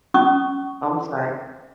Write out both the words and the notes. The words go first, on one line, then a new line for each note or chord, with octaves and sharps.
Oh, I'm sorry.
C#4 C#6 D#6